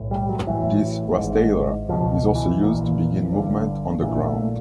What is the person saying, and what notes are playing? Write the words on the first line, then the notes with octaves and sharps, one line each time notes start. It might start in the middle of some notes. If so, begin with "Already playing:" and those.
This rasteira is also used to begin movement on the ground.
Already playing: B1 A2
G3
F#3
A1 A2 E3
G#1 G#2
C#2 B2 F3
E3
A#1 A#2
G1 G2 D3
A#1 A#2 E3
A3